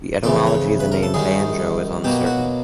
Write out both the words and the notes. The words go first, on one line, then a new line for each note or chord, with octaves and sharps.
The etymology of the name "banjo" is uncertain.
F2 C#3 E3 D5
C#5
B4
A#4
A4
F#2 D#3 G3 G#4
B2 F#3 A#3 G4
F#4